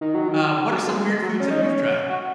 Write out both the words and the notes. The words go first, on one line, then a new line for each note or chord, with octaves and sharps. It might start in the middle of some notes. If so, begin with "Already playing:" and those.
Uh, what are some weird foods that you've tried?
D#3
F#3
D#3
F#3
G#3
G#3
F#3
C#4
D#4
C#4
F#4